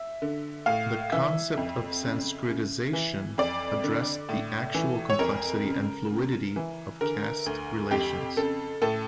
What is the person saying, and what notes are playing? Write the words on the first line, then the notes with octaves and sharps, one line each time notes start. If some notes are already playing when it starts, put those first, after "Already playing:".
The concept of sanskritisation addressed the actual complexity and fluidity of caste relations.
Already playing: E5
D3
A2 F5
E3 E5
F2
C#3
C#3
E3
F2 D5
D3
A2
E3
C#5
F2 A#4
C#3
C#3
E3
D3 A#4
D2
F2 G4
C#3 A4
A2 A4